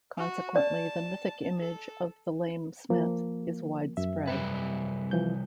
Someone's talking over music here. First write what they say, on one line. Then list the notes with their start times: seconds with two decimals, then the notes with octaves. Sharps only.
Consequently, the mythic image of the lame smith is widespread.
0.17 F#4
0.56 D5 A5
1.59 A4
2.90 F3 A#3
3.97 F#2 E5
4.27 C3 G3 B4
5.11 E3 F3 G6